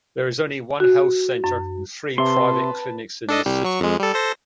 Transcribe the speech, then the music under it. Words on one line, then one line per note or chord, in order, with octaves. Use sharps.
There is only one health center and three private clinics in the city.
F#4
F#2
C3 B4 E5 A5 C6
D4 A4 D#5
C2 G3
F#3 C#6
F2 G#3
G3 A4
A4 C5 A#6